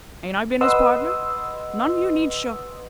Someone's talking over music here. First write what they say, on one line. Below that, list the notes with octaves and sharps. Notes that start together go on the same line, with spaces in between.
Ain't I been his pardner? None of you need show.
B4 D#5 F#5 C6 D#6 E6